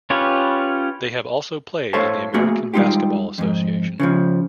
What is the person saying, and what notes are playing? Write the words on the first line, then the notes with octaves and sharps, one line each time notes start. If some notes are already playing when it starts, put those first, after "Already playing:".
They have also played in the American Basketball Association.
C#4 F4 G4 B4 C#5
A2 A4 C5 C#5 F5 A5
A3 A#3 F#4 G#4
G3 G#3 D#4 F4 G4
F2 G#2
C#3 E3 F3